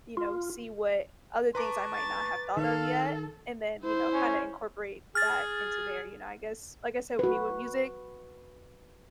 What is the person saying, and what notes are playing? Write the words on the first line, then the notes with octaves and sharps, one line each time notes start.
you know, see what other things I might not have thought of yet." And then, you know, kinda incorporate that into there, you know, I guess. Like I said, with me with music,
F4
B4 A5 A#5 C#6 D6
A6
D#3 A4 F5
E4 C5
C#4
G#4 F6 A6
F#4 B4